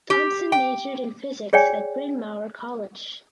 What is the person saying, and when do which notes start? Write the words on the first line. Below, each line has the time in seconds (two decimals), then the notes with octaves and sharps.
Thompson majored in physics at Bryn Mawr College.
0.10 G4
0.52 G5
1.53 G#4 C#5 D5 G5 G#5